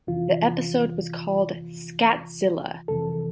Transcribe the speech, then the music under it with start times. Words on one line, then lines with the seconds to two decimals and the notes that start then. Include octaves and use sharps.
The episode was called "ScatZilla!".
0.07 F2 C3 E3 F4
2.88 F2 C3 E3 A4